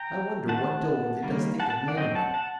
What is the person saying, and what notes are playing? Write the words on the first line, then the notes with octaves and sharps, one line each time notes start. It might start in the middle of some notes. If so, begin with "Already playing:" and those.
I wonder what Dilworthy does think of me anyway?
Already playing: G5 A#5
D#3 A3 C4 F#5 A5
D#3 G3 A#3
F#5 A5
F#5 A5
D5 F#5
F#3 C4 D#5 G5
F#5 A5
F#5 A5